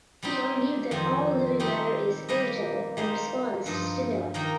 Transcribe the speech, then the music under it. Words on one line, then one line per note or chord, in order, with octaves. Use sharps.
He argued that all living matter is "irritable" and responds to stimuli.
G3 C4 D#4 G4
F2 D#3 C4
G3 C4 D#4 G4
G3 A#3 G4 A#4 D#5
G3 A#3 D#4 C5
G2 F3 D#4
D#3 A#3 D#4 A#4